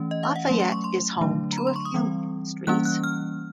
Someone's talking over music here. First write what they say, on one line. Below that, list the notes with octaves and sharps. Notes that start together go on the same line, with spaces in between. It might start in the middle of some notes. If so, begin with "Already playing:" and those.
Lafayette is home to a few industries.
Already playing: E3 A3 C#4
D#5
F5
F#5
F#3 A3 C#4 C6
C6
C#6
C6
D3 F#3 A3 D4
A#5
B5
C6
C#6
D#6
E3 G3 C4
E3 G3 A#3 C#4 F#6
F#6
F6